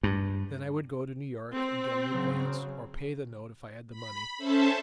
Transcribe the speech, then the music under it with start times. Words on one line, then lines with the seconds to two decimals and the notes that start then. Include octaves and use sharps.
Then I would go to New York and get an advance, or pay the note if I had the money.
0.03 G2
1.55 C4
2.09 C#3 F#3
3.90 B5
4.37 C#4 A4 C5 E5 A5